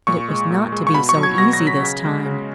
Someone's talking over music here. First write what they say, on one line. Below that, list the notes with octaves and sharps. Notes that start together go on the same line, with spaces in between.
But it was not to be so easy this time.
A#2 C#6
G#3
A#2
G#3
C#6
B2 B5
C#6
F#3
G#6
B2 A#6
A#6
F#3
B6
C#3
G#3
C#3